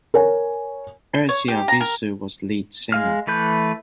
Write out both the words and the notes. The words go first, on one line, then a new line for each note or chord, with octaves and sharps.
Ersi Arvisu was lead singer.
A#4 C#5 G#5
C#5
G4
A#5
A#4
G#3 F5 F6
E3 A3 B4 G6